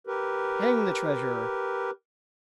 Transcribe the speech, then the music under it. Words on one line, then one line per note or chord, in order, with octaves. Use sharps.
Hang the treasure!
G4 A#4 B4